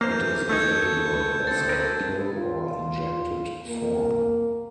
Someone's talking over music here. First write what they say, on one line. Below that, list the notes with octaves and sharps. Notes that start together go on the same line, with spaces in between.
It is available as a pill or injected form.
F2 E3 A#3 C5 F6 G6
A3 D#4 A4 C#6 G6 G#6
D2 C4 A4 A6
A#4 B4
F4
A#3